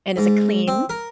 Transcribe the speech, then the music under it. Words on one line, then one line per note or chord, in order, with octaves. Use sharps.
And is it clean?
G#2
C4
A#4